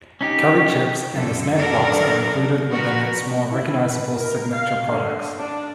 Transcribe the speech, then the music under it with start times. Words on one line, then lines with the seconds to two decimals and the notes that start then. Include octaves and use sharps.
Curry Chips and The Snack Box are included within its more recognisable signature products.
0.21 C#4 D#4 G4 B6
1.13 F#2 D3 A4
1.54 F#3 B3 D4 A4 A#4 D5
2.70 F3 B3 F#4 A#4
3.51 E4
3.85 B4
4.15 A#4
4.52 F5
4.87 D3
5.38 D4